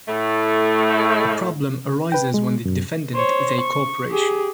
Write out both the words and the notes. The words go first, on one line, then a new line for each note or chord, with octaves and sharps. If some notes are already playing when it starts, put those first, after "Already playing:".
A problem arises when the defendant is a corporation.
A2 A3
B4 G5
G#3
F#2
C5 C#5
C#6
G4 G#4